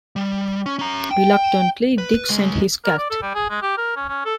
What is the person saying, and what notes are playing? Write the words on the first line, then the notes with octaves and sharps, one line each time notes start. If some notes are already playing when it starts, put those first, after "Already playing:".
Reluctantly, Dick sent his cat.
G3
C#4
C#4 A#5
G5
B4
C#2 G#3
A#4
D5
A4
G3
G#4
G#3
G4
A#4
C#4
C#4
A4